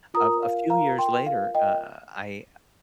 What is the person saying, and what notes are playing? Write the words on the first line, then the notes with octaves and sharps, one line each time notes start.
a a few years later, uh, I
F4 A#4 A#5 D#6
F5
F5 A#5
G5 C6
F5
D#5 G5